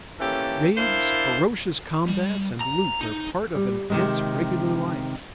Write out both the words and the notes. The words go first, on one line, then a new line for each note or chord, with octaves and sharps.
Raids, ferocious combats, and loot are part of an ant's regular life.
E3 A#3 C#4 G4 A4
D4 E4 A#4 C5 D5 F5
G3
A#5
D#4
G3
C3 D#3 G#3